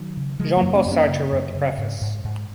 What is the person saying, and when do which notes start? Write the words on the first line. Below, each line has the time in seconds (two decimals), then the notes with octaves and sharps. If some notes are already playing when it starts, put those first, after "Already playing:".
Jean-Paul Sartre wrote the preface.
Already playing: D#3 F#3
0.17 C#3
0.39 C#3 F3 G#3
0.57 F#3 A#3
0.62 F#2
0.74 A#3 C#4
0.86 F#2
0.92 A#3 C#4
1.09 C#3
1.33 F#2
1.55 C#3
1.78 G#2
2.02 G#2
2.25 G#2